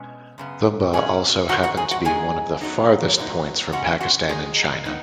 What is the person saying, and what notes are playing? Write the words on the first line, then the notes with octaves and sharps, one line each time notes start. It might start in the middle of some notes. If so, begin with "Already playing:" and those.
Thumba also happened to be one of the farthest points from Pakistan and China.
Already playing: B2 G#3 C#4
F#2 C#3 B3
B2 F#3 C#4 G#4 G#5
G#2 D#3 F#3 F#4 F#5
F#4 F#5
G#4 G#5
F#4 F#5
F#2 D#3 G#3 G#4 G#5
F#2 F#3 B3 D#4
F#2 F#3 B3 D#4
C#3 G#3 C#4 F#4 F#5
F#4 F#5
F#2 D#3 G#3 D#4 G#4
D#3 B3 D#4